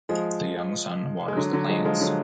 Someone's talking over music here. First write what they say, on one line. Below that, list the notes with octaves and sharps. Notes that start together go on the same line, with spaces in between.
The young son waters the plants.
F3 G#3
G#3
D3 F#3
D3 F#3
F3 G#3
F3 G#3
D3 F#3